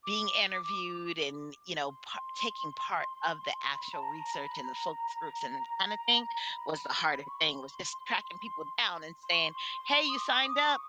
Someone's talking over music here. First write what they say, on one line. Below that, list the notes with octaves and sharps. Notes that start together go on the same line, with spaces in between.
Being interviewed and you know par taking part of the actual research and the focus groups and that kinda thing was the hardest thing was just tracking people down and saying, "Hey, you signed up,
D6
C6
B5
A5
A#5
B5
A#5
B5
C#6
C6
C6
C#6
C6
D#6
D6
D#6
C#6